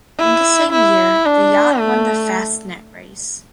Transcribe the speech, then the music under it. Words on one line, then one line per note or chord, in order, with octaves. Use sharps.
In the same year the yacht won the Fastnet Race.
E4
E4
D4
A3